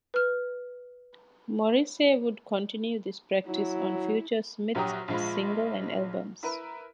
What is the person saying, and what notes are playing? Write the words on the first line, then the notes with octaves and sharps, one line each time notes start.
Morrissey would continue this practice on future Smiths singles and albums.
B4 F6
F#3 E4
A#1 F#3 F#4 G4 A#5 D#6
A#1 F3 G#3 F4 B5
E4 A#4 B4